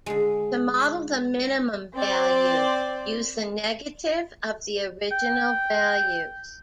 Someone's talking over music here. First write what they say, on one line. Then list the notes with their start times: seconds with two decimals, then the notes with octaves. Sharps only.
To model the minimum value, use the negative of the original values.
0.06 D3 G#3
1.96 C4 C5 D5
5.11 G5